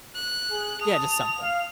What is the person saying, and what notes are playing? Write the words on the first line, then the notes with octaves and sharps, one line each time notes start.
Yeah, just something.
F#6
G#4
A5 D#6 F7
F5